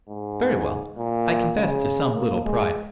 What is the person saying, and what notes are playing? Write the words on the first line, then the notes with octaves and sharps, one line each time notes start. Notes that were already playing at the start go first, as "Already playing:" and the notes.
Very well: I confess to some little pride.
G#2
A#2
C#3
A#3
G#3